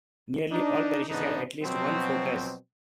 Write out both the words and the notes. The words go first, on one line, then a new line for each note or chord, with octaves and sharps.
Nearly all parishes had at least one fortress.
D4 D#4
G#2 C#3 E3 B3 D4 D#4
B2 F3 F#3 C4